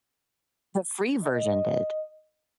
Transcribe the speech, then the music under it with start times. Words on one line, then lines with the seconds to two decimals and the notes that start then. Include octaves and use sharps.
The free version did,
1.24 D#5